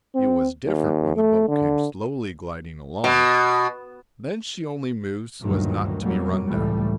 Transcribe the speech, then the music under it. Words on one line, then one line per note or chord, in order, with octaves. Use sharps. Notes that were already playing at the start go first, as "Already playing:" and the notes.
It was different when the boat came slowly gliding along; then she only moved so as not to be run down.
C4
D#2
A3
D3
B2
D2 G2 A#2 D#3 F#3
F2 B2 F#3 G3 A#3
C#2 A2 E3 G3 A3